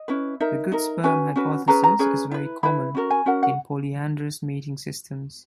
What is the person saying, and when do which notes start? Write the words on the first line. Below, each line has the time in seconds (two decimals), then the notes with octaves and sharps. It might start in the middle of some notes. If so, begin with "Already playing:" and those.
The "good sperm hypothesis" is very common in polyandrous mating systems.
Already playing: D#5
0.08 C#4 E4 B4
0.40 D#4 A#4 E5
0.72 D#4 A#4
1.04 C#4 F#4 B4 G#5
1.36 C#4 F#4 B4
1.68 C#4 G#4 B4 A#5
1.84 A#5
1.99 C#4 G#4 B4
2.31 E4 B4
2.63 E4 B4 B5
2.95 C#4 F#4 A#4
3.10 G#5
3.26 C#4 F#4 A#4 F#5
3.43 F#5